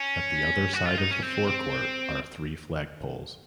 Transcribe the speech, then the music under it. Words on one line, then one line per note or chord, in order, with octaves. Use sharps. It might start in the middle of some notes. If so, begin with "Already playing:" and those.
At the other side of the forecourt are three flagpoles.
Already playing: C#4
F#4
F4
D#4
C#4
C4